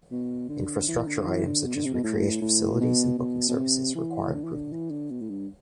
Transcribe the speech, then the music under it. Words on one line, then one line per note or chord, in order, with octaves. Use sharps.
Infrastructure items such as recreation facilities and booking services require improvement.
B2
D3
E3
D3
E3
D3
B2
D3
C3
B2
A2
A2
B2
B2
B2
C3
E3
D3
E3
D3
E3
D3
B2
A2
G2